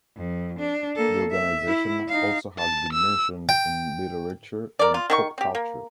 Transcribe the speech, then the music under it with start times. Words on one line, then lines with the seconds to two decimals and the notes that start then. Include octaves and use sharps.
The organization also has been mentioned in literature and pop culture.
0.16 F2
0.59 D4
0.96 A#3 A4
1.31 E5
1.67 E4
2.08 D#4 F5
2.58 A5
2.93 E6
3.49 G5
4.79 A#4 D5
4.94 F4
5.10 D#3 G4 C#6
5.38 C4 G4
5.55 A#3